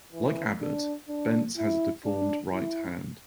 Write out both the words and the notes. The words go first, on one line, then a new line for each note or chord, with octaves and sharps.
Like Abbott, Bentz has a deformed right hand.
E3
D4
D4
E4
D4
E4